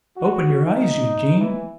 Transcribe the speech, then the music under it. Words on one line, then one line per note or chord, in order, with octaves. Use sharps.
Open your eyes, Eugene?
F#4
D#4
E3